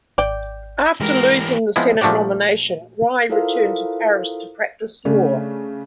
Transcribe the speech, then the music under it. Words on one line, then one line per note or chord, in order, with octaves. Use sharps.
After losing the Senate nomination, Rye returned to Paris to practice law.
G#1 D5 G5
E3 G#3 G4 A#4
F3 G#3 B3 C4 E4
A#2 F3 A3 D4 F#4 G4
E4 F4 A4 A#4 C5 F5
C#3 A3 C#4 D4